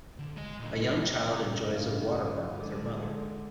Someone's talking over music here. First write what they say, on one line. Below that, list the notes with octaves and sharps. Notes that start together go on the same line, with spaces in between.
A young child enjoys a water park with her mother.
D3
G#3 D#5
A#2 D3
C#2 G#3
G2 C#3
D3 G#3